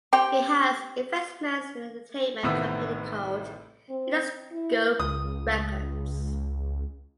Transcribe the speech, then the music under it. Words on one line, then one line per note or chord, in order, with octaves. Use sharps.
He has investments in an entertainment company called Interscope Records.
C4 G4 G5
A1 A2 C3 D#3 B3 E6
C4
E4
C#2 D#6